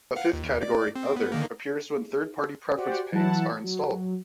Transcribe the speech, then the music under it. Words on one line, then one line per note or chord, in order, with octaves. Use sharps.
A fifth category, "Other", appears when third-party preference panes are installed.
F5 F#5
D#2
D5
C4
B3
D3 D#3 A#3
F#4 G4 C5 D5 F#5
E3 F#3 E4 F#5 A5
F#3